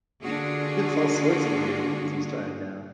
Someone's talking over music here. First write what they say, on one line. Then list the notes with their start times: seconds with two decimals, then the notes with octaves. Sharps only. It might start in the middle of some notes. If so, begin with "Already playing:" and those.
it's all sorts of weird foods he's trying now.
0.23 D3 A#3 D4 F4 F#4 G#4